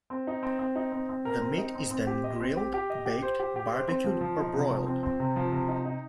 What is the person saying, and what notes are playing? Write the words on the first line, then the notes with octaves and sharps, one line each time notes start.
The meat is then grilled, baked, barbecued, or broiled.
C4
D#4
C4
C4
D#4
C4
C4
A#4
C4
D#4
C4
C4
G4
D#5
C4
G4
G4
D#5
G4
C5
G4
G4
C5
C4
F3
F3
D#4
C3
F3
C4
C4
C3
F3
C3
D#4
D#4